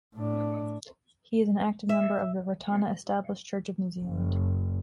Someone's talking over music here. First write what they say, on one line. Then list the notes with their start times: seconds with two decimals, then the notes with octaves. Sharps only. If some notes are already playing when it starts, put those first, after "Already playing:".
He is an active member of the Ratana Established Church of New Zealand.
0.15 A2 D4
1.89 E5
4.01 F#1